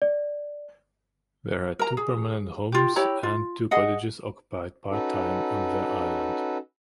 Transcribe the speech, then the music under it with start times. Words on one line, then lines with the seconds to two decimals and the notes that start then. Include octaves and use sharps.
There are two permanent homes and two cottages occupied part-time on the island.
0.02 D5
1.79 A#4 A#5
1.97 G#4
2.72 F4 G4
2.96 E4 G4 C#5 A#5
3.23 F4
3.71 G#4 D#5 F#5
4.90 C#4 D#4 F#4 A4 B4